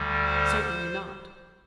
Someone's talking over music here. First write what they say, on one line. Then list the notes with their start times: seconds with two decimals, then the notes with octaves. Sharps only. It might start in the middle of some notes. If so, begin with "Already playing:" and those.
"Certainly not."
Already playing: D2 D3 G3
0.24 C5